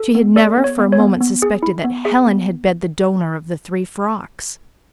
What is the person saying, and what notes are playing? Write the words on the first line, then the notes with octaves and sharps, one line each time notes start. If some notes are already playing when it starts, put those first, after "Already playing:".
She had never for a moment suspected that Helen had been the donor of the three frocks.
Already playing: A4
B3
A4 D5
B3
C#5
B3
C#5
B3
B3
G#4
E4
B3
G#4 E5
B3